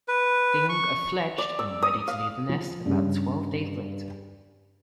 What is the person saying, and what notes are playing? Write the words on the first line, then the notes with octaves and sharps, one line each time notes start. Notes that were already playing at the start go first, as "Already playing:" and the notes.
The young are fledged and ready to leave the nest about twelve days later.
B4
C#6
D5
E6
D#6
F5
F3
G2 C#3 G3